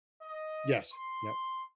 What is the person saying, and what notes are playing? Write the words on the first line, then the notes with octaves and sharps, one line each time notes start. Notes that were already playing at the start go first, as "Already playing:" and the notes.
Yes. Yep.
D#5
C6